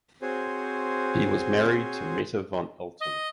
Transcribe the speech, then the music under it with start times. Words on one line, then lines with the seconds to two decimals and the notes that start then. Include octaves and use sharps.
He was married to Metta von Alten.
0.22 C4 F#4 G#4 C5 C#5
3.00 D#5